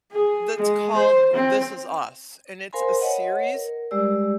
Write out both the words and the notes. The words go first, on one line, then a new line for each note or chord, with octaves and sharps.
that's called "This Is Us", and it's a series,
G#4
G#3
C5
C4
A#4 C5 F5 G#5 B5 C6
B4 C#5 D#5 F#5
A#4
G3 G#3 G4 D5 E6